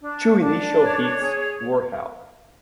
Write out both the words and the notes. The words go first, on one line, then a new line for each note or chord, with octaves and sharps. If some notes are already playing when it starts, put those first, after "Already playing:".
Two initial heats were held.
D4
D4
C#5
G#4